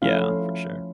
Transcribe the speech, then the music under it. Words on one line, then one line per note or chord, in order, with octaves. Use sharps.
Yeah, for sure.
F3 A3 C#4 E4 F4 F5